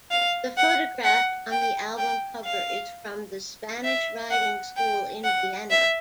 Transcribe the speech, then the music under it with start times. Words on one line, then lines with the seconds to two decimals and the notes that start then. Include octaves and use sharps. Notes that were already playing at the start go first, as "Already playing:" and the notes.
The photograph on the album cover is from the Spanish Riding School in Vienna.
0.11 F5
0.58 F#5
1.04 F#5
1.51 G5
1.98 G5
2.44 F5
3.84 E5
4.31 F#5
4.77 G5
5.24 F#5
5.71 E5